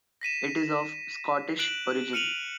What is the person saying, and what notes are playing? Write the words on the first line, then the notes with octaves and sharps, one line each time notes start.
It is of Scottish origin.
A#6 B6 D#7 E7
F#6 D7 E7 F#7
F6 C#7 D#7 F7 F#7